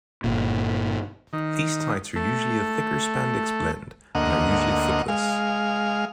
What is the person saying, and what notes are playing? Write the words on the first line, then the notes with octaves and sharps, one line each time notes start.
These tights are usually a thicker spandex-blend, and are usually footless.
G1 A#2
D#3
A3
D2 A#3 D#5 F#5
G#3 F5